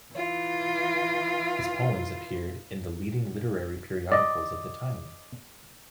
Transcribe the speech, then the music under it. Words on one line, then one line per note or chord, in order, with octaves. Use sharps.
His poems appeared in the leading literary periodicals of the time.
E3 F4
D5 D#5